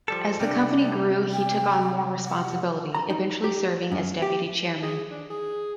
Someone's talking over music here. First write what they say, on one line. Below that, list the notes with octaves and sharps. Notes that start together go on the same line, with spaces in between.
As the company grew he took on more responsibility, eventually serving as deputy chairman.
F3 G3 A4
C3 G3 D4
G5
F#5
A#5
D#4
G4
F#2
G4
G#4
D4
G#4